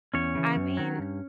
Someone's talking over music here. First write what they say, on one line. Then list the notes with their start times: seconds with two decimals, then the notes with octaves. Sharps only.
I mean,
0.14 E2 C#4 C#5
0.35 C#3 E3
0.56 F#2
0.77 D#3 F#3
0.99 G2